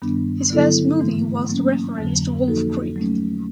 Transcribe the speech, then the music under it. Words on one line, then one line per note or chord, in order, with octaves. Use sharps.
His first movie was the referenced Wolf Creek.
G2 D#3 G3 B3 D4
D3 F#3 B3 E4 A4
G#2 E3 A3
F#3 A#3 C#4
F2 D3 F#3
F3 A#3 D#4 F#4 A4
F#3 A3 C#4